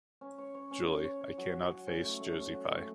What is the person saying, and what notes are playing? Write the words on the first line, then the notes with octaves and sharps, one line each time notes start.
Julie, I cannot face Josie Pye.
C#4
C#5
C#5
C#4
C#5
C#5
C#5
F#3
F#4
F#4
C#4
A3
A3
A3
F#4
A3